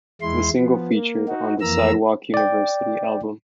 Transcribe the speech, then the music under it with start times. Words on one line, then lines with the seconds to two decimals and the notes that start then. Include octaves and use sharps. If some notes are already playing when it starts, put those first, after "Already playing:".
The single featured on the "Sidewalk University" album.
0.22 E2 G#3 E4 C6
0.57 F3 B3
0.93 A#3
1.28 D#4 F#4
1.61 F2 E3 A#3 A#5 E6
2.34 D5 G5